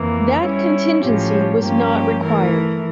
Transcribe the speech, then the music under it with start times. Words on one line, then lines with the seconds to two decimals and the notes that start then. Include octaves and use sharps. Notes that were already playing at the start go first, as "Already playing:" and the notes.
That contingency was not required.
Already playing: F2 E3 A#3
0.40 G3 C#4 E4
1.01 A2 F3 C#4 G4
1.60 G2 F3 A#3 C#4 G4
2.21 E3 A3 E4 A#4